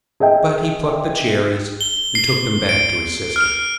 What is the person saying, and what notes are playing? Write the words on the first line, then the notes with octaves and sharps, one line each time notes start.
But he plucked the cherries, and took them back to his sister.
G#4 D#5 E5 G5
G7
C7
D7
F6